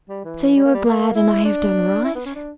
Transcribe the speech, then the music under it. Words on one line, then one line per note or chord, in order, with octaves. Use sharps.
"So you are glad and I have done right?"
G3
E3
G3
A#3
G3
A#3
E4
D4
E4
B3
C#4
D4